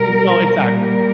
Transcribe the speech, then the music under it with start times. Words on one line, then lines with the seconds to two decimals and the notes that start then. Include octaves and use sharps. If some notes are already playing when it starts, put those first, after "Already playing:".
No, exactly.
Already playing: B2 G3 A#4
0.61 A#2 G3 A#4